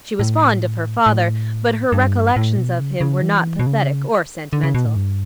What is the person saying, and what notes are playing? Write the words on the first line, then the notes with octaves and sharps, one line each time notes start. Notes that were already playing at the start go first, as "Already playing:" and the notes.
She was fond of her father, but her recollections of him were not pathetic or sentimental.
A2
A2
G2
A2
B2
C#3
C#3
E3
B2
C#3
D3
C#3
B2
A2
G2